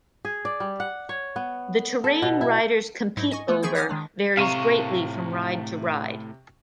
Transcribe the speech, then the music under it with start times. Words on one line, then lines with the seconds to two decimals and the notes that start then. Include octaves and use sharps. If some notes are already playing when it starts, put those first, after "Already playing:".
The terrain riders compete over varies greatly from ride to ride.
0.25 G#4
0.45 D5
0.60 G3
0.80 F#5
1.09 C#5
1.36 B3
2.04 A4
2.22 B2
2.41 E4
3.17 G#2 F#3 D#4 E4
3.31 D#5 G#5 C#6
3.48 A3 B3
3.63 E3 F3 E4 G#4 C#6 G6
3.75 C#5 F#5 G#5 D6 D#6 F6
3.89 D#3 G#3 D4
4.37 A2 C3 F5 A#5 C#6 D#7 E7